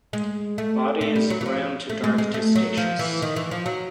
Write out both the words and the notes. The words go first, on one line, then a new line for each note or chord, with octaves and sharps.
Body is brown to dark testaceous.
G#3
A3
A3
G3
F#3
E3
F3
A3
G#3
G#3
A3
F#3
F3
E3
D#3
E3
F3
F#3